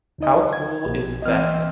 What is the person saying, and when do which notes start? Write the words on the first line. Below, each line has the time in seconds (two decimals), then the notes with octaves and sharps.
How cool is that?
0.18 D2 D#4 D#5
0.53 G#6
0.84 A#1
1.22 E3 C4 D#5 F6